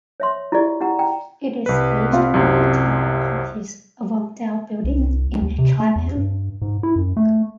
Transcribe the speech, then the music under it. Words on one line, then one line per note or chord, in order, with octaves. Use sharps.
It is based in Italia Conti's Avondale Building in Clapham.
C#5 E5 C6
E4 F4 G4 G#4 D5 E5
E4 G4 F#5 A#5
G5 A#5
C2 B4
C4 F4
C2 F#2 C3
C2
D#2
C3
A3
E2
G2
G#2
E4
F#2
A3